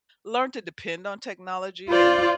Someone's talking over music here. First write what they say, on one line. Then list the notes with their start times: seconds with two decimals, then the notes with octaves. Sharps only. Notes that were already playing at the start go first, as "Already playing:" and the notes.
learn to depend on technology. And,
1.89 F4 C5 D5